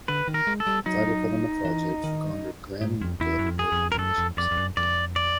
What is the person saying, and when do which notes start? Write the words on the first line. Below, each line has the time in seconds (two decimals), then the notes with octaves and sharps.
The title cut on the project garnered Grammy and Dove Award nominations.
0.08 D3 B4
0.28 D#3
0.34 A#4
0.47 G#3
0.60 A4
0.67 G3
0.86 F#3 D#4
1.65 E3
2.04 D#3
2.81 G#2
3.01 F2
3.20 E2 E4
3.39 F#2
3.46 F2
3.59 G#4
3.72 F2
3.92 A#4
3.94 F2
3.98 F#2 A4
4.18 F2
4.37 F2 D5
4.51 F2
4.57 F#2
4.77 F2 D5
5.16 D5